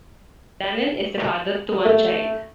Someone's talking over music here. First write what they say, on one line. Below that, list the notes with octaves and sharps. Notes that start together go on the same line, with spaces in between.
Danan is the father to one child.
A3